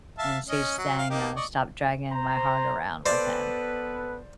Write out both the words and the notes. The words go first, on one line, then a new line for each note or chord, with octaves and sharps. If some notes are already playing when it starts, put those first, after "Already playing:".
and she sang, uh, "Stop Dragging My Heart Around" with him.
E5 F5 A5
C#4 D#5
F#3
F5
A#3 D#4 G4
D5 D#5 C#6
C5 A#5
B3 A4 B4 C5 D5 D6